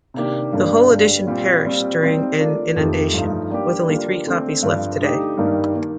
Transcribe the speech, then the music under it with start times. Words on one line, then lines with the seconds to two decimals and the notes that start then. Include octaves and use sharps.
The whole edition perished during an inundation, with only three copies left today.
0.14 C3 D#3 A#3 D4 G4
0.52 G2 D3 G3 A#3 D4
0.90 G2 D3 G3
1.27 A#2 G3 C4
1.64 A#2 G3 C4 F4
2.02 G3 C4 D#4
2.38 D3 A3 D4 F4 A#4
2.76 F2 D#3 A3 D#4 G4
3.13 G2 F3 A3 D#4
3.50 G3 A#3 D4 G4
3.89 D3 G3 A#3 F4
4.26 D3 A3 C4
4.62 G2 D3 F3
5.00 D3 A3 D#4 G4
5.37 G2 D#3 G3 A#3 D#4
5.75 D#3 A#3